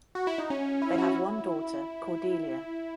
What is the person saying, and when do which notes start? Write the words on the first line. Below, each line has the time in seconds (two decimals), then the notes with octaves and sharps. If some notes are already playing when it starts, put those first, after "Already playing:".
They have one daughter, Cordelia.
0.15 F#4
0.27 E4
0.38 D#4
0.50 C#4
0.82 E4
0.94 E4
0.98 F#4
1.14 E4